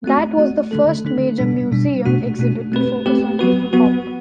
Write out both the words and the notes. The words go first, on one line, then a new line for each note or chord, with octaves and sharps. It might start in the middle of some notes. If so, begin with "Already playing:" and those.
That was the first major museum exhibit to focus on hip-hop.
A3 C4 F#4
A3 C4 F#4
D3 A3 D4 A4
D3 A3 D4 A4
B2 G3 D4
B2 G3 D4
B2 A3 D4 F#4
B2 A3 D4 F#4
A3 C4 G4 B4
A3 C4 G4 B4
F#3 B3 F#4 B4
F#3 B3 F#4 B4